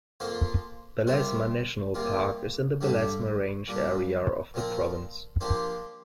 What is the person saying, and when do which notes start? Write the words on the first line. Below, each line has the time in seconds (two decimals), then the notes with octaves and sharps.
Belezma National Park is in the Belezma Range area of the province.
0.20 F2 F3 A#3 F4 C5
1.07 C3 G3 C4 F4 A#4
1.94 C3 G3 A#3 F4
2.81 G2 D3 G3 D4 G4
3.68 A#2 G3 D4
4.54 A#2 F3 C4 A#4
5.41 F3 A#3 D4 G4 C5